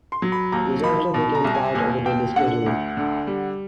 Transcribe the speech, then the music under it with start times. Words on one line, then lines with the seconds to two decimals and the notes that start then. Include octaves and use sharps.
This also became part of the daily schedule.
0.12 C6
0.22 F#3
0.32 B5
0.52 D#2 A#5
0.83 F3 B5
1.14 B2 B5
1.35 A#5
1.44 C2
1.55 G#5
1.75 D#2 G#5
2.05 D#2 G5
2.36 D3 F#5
2.66 D2
2.97 D3
3.27 G3